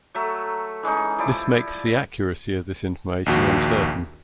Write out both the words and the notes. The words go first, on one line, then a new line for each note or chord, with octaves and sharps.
This makes the accuracy of this information uncertain.
F#3 A3 E5
E3 G#3 C#4 D#4
F3 G3 E4 D5
A#1 D#2 F#4